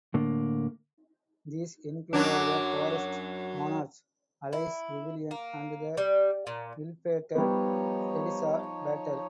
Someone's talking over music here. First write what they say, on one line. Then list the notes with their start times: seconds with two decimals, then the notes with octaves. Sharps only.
These included the "Forest Monarch", "Alice Vivian", and the ill-fated "Eliza Battle".
0.14 A2 D3 A#3
2.13 F#2 F#3 D4
4.53 E4
5.31 A#3
5.97 G3
6.47 A#2
7.35 F3 G3 B3 D#4 C#5